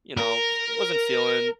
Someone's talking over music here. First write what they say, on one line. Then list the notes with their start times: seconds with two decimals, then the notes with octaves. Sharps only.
you know, wasn't feeling
0.17 A#4